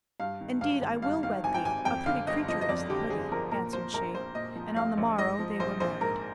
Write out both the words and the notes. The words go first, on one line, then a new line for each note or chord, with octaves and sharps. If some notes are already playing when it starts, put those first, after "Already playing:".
'Indeed I will wed thee; a pretty creature is the hoodie,' answered she, and on the morrow they were married.
G2 F5
D#3
G#1 F5
G#1
G2 F5
D#3 F5
G#1 G#5
G5
G#1 G#5
F2 G5
D3 F5
G1 D#5
F3 D#5
D#5
F2 D5
D3 G4
G1 G#4
F3 A#4
A#2 A#4
F3 C5
A#1 A#4
A#1 C5
A#2 D#5
F3
A#1 F5
A#1
G#2 D#5
F3
A#1 C5
A#1 C5
G#2 A#4